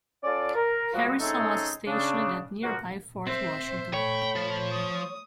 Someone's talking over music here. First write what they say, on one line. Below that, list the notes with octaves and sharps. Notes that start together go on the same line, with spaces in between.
Harrison was stationed at nearby Fort Washington.
C#4 F4 A4 D5
A#4
F3 G3 G#3 F4 F#4
A3 C4 C#4 D#4 G#4 A4
C#3 D4
C#2 F3 A#3 F#4
C4 C5 E5
A3 C#5 G5 B5
F3
D#6